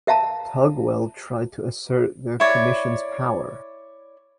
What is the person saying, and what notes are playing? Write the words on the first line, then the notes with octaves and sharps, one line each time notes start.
Tugwell tried to assert the commission's power.
A#4 E5 F5 A5 A#5
E4 C#5 D5